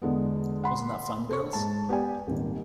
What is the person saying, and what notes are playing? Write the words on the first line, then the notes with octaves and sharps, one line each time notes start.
Wasn't that fun, girls?
E2 D3 G#3 B3
F#5 B5 C6
A4 C5 C#5 C#6
G#2 A5
B3 G4 D5 G#5
D#1 G#1 D#3